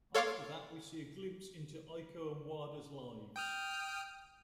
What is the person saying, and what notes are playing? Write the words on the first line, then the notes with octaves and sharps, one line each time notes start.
After that, we see a glimpse into Eiko and Wada's lives.
A4 C#5 F5 C6 D6 A6
G5 D#6 F6